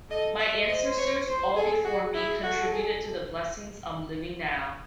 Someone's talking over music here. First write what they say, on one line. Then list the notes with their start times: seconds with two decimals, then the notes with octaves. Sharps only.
My ancestors all before me contributed to the blessings I'm living now.
0.11 A4 D#5
0.39 E5
0.68 C5 D#5
0.98 C#5
1.27 C5
1.56 G#4 A4
1.84 F#4 G#4
2.14 E4 G#4
2.43 F#4 A4
2.72 G#4